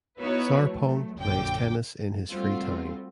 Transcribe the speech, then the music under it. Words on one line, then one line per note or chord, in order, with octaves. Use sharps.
Sarpong plays tennis in his free time.
B3 D#4 E4 F#4 B4 C#5
F#3 A3
A#1 F#2 D3 G5 D6
G3 A3 C4 F4 F#4